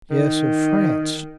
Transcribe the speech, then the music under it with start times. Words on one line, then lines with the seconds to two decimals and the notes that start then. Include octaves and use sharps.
Yes, of France.
0.10 D#3